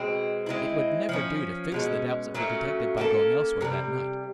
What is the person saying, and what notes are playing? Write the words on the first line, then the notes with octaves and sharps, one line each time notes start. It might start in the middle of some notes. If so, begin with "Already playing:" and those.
It would never do to fix the doubts of the detective by going elsewhere that night.
Already playing: B2 G#3 C4
G#3 C4 E4
F3 A3 C#4
B2 G#3 C#4
A#2 F#3 A3 C#4
A#3 C#4 F#4 A4
C3 E3 G3